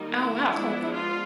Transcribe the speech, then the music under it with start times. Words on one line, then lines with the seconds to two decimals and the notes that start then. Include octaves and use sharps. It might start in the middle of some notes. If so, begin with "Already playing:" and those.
Oh, wow, cool.
Already playing: D#3 G3 A#3 D#4
0.20 E4
0.49 F3 G#3 B3 D4 E4
0.93 F4